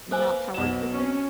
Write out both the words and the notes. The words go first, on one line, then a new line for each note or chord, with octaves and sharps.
not power tripping?
E3 A#3 E4 A4 C5 G#5
B1 B2 F#3 E7
C#4